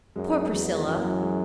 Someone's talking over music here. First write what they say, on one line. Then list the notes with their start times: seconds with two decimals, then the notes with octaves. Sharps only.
Poor Priscilla!
0.16 F#2 G#3
0.51 E2 F#3
0.87 F#2 E3
1.05 F#3
1.23 G#3